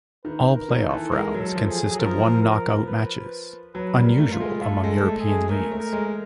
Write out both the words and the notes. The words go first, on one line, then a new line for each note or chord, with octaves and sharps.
All playoff rounds consist of one-off knockout matches, unusual among European leagues.
D#3 B4
A#4
D#3
A4
E3
G#3 A#4
F#3
A4
F3
G#4
F#3
F3 A#4
A#4
B4
F#3 B4
G3
A#4
A3
F4
G#3
A3 A4
G#3
A4
A3
G#4
G#3
A3 A#4
A3
A#4
G#3